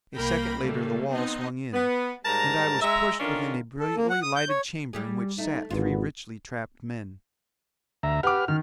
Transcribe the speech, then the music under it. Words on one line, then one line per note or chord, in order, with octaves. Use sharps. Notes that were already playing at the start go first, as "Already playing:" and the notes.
A second later the wall swung in, and I was pushed within a brilliantly lighted chamber in which sat three richly trapped men.
C2 A#3 A#4 G5 B5 A#6
C#3 G3 A3 A#3
B3 C4 D#4 D#5
B3
G#2 G3 A#4 A5 A#5
G#3 E5 A#5
D3 D#3 C#4 D4 F4 A#4
A4
A#3
F#5
D#6
G6
C#5
G3 G4 G#4
A3 D#4
G#1 G#2 D3 B3 F4
D2 E5 A#5
G4 B4 F#5 D6 F6
D#3 F6